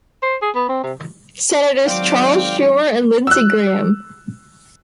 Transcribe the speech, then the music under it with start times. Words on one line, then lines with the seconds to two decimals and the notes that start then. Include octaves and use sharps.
Senators Charles Schumer and Lindsey Graham.
0.23 C5
0.42 G#4
0.55 B3
0.69 C4
0.83 C3
1.87 G#1 F#3 C4 D5 F5 G5 D6
3.27 E6 F#6